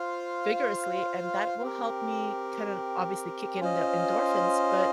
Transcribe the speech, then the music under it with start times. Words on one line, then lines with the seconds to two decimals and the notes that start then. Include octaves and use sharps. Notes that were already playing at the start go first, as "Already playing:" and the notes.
vigorously, and that will help me, kind of, obviously kick in the endorphins, but
Already playing: F4 C5 F5
1.62 C4 G4 A#4
3.60 C#4 F4 C5 D#5